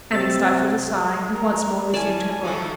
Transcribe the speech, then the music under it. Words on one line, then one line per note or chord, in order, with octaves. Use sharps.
Annie stifled a sigh, and once more resumed her book.
C3 E6 A6
A#4
C#4 E4 D5 G#5 A5
D#3 F3 F#3 A3 A4